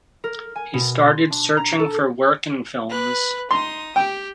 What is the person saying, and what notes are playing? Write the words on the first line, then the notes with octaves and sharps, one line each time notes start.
He started searchimg for work in films.
A#4
G#5
B2
C6
D4
A#5
A4
B4 F#6
D#4 C6 D#6
G4 G5